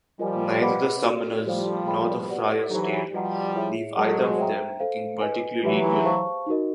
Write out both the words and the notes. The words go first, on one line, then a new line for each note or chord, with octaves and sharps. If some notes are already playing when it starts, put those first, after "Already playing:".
Neither the Summoner's nor The Friar's Tale leave either of them looking particularly good.
F3 G3 F4 A#4 D#5 G#5
B4 D#5 F#5 B5 D6
F#4 A#4 D5
F3 G3 G4 C5 F5
G#4 C5 D#5 G5 B5
G4 B4 D5 F#5
E3 F#3 D#4 G4 C5
F3 G3 F#4 B4 D#5 F#5 A#5
E4 G#4 C#5 E5
F#3 G#3 A#4 D#5 F#5 A5
C5 E5 G5 A#5
A4 C5 F5
B4 D#5 G#5
E3 F#3 G4 B4 E5
C5 F5 A5 C#6
D#4 F#4 A#4 D#5